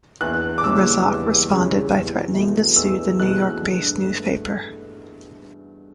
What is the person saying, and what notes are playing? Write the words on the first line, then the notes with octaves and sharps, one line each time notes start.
Razak responded by threatening to sue the New York-based newspaper.
E2 F#6
D6
C#3 G3 C#4 E6
E2
C#3 G3 C#4
E2
B2 A3
E2 E6
B2 A3 F#6
G2
A3